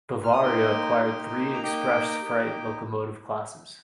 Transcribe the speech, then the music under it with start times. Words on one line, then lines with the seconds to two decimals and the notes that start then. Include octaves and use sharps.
Bavaria acquired three express freight locomotive classes.
0.24 F6
0.32 D#6
0.42 A#3 D#4 G4 C6
1.03 A#3 D#4 G4
1.53 A#5
1.63 A#3 D#4 G4 G5
2.23 A#3 D#4 G4